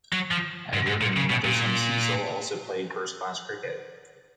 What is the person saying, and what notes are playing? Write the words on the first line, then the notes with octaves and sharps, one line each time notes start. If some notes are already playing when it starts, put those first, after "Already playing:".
Edward and another son Cecil also played first class cricket.
F#3
F3
G#2
G#2
A#2
C#3
B2
A#2